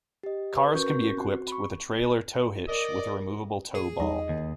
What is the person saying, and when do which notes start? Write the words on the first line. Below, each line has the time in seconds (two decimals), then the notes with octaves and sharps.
Cars can be equipped with a trailer tow hitch with a removable tow ball.
0.23 G4 D#5
0.57 B4
0.74 C#4 F#4 A#4 C#6 G6
1.17 C4 F#4
1.48 B5 C#6
2.68 A#4 D5 D#5
3.75 G#4
4.00 E2 G3 D#4 D#5
4.29 D#2